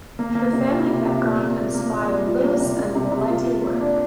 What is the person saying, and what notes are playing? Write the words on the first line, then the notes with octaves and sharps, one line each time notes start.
Her family background inspired Lewis in her later work.
A#3
A#3
C3
F4
C3
C3
A#2
A#3
A#2
A#3
A#2
G3
F4
A#3
C3
C3
C3
C3
F4
F4
A#3
D4